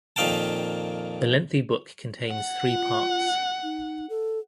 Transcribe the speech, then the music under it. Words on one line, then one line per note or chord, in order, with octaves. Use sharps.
The lengthy book contains three parts.
F2 A#2 D#3 F5 G5 A5
F#5
F4
D#4
A4